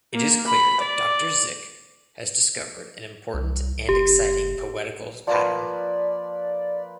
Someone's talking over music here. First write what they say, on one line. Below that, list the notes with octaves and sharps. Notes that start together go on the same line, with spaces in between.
It is clear that Doctor Zik has discovered an important and exciting poetical pattern.
A#3
B5
D5
C2
F#1 G4
F3 A#3 B4 D5